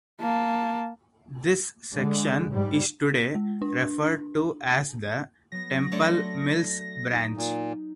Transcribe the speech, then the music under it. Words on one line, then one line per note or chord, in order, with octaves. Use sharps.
This section is today referred to as the Temple Mills branch.
A#3 A5
D3 G#3
G#2 G3
G#3
D4
F#3 B3 A#6
A3 D4 C#5 A5 B5 C6
D#4 A#5
A#2